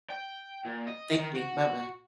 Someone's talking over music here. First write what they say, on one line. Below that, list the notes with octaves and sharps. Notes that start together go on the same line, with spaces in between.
Thank you. Bye-bye.
G5
A#2
D#5
D#3
F#4